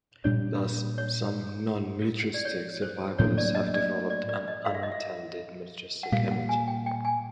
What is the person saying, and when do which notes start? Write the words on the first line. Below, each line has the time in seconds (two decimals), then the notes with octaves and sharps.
Thus, some non-militaristic survivalists have developed an unintended militaristic image.
0.24 A#2 G3 A#3 D4 C#5
0.98 C#5
2.34 D5
2.45 C#5
2.82 C5
3.18 A2 F#3 A#3 D4 C#5
3.38 D5
3.55 D#5
3.74 D5
4.10 D5
4.29 D5
4.48 D#5
4.65 F5
4.75 E5
4.83 D#5
4.92 E5
6.03 F#5
6.12 A#2 G3 A#3 F5
6.31 F#5
6.49 G#5
6.68 G5
6.86 G5
7.05 G#5